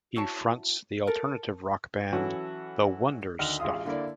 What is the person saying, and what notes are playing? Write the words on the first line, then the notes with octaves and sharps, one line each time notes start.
He fronts the alternative rock band The Wonder Stuff.
E4 F#4 C#5 A5
A4 A#4
E3 F#3 C#4 E4 F#4 A4
D2 D#3 D#5 F#5 F6
A1 G#3 F4 F5 D#6
D3 A#3 E4 D5